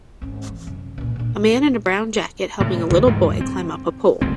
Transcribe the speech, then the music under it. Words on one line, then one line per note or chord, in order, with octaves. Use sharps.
A man in a brown jacket helping a little boy climb up a pole.
G#1 C#4
E3
F#2 C3
C#2 A#2
A#2 D4
A2 C3
C#2 D#3 F#3
E2 G#2 D3 G3
C4
F#1 D2 C4